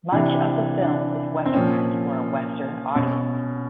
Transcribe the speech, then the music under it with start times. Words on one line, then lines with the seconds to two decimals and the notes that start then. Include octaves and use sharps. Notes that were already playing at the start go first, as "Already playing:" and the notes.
Much of the film is Westernized for a Western audience.
0.12 C3 E3 D4
0.82 D4
1.46 C4
1.54 A#2 F3 C#4
2.95 B2 C#4